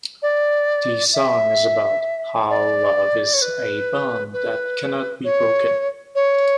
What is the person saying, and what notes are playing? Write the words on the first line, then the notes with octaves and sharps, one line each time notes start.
The song is about "how love is a bond that cannot be broken".
D5
E5
D5
C#5
B4
B4
C#5
C#5